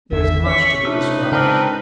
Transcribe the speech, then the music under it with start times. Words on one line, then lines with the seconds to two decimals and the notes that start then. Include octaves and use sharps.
There is much to be described.
0.12 G#1 E2 E5
0.46 C#4 C#6 B6
0.85 C3 A3 D4 D#4 F4 B4
1.32 C#3 G#3 C4 D4 A#4 C5 D5